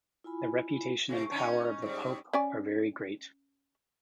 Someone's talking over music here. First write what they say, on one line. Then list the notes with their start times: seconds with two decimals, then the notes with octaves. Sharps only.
The reputation and power of the pope are very great.
0.24 E4 F4 G#5 B5
1.09 C3 A3 A#3
1.31 C#4 D#4
1.82 G#2 G3
2.33 C#4 D5 G#5